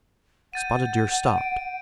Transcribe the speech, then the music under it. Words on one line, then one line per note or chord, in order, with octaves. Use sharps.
Spotted Deer stopped.
F#5 G6 A6 D#7
D7